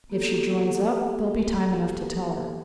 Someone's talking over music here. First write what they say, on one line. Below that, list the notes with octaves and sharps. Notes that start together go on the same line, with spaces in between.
If she joins up, there'll be time enough to tell her.
A#3 B3 E4 F#4 G4 A4